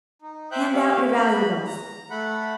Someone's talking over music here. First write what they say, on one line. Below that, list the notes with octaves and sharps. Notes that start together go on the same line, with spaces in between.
"Hand out your valuables!"
D#4
C5 E5 G5 F#6 G6
G4 E5 F5
B3 B5
A#5
A3 F#5 B5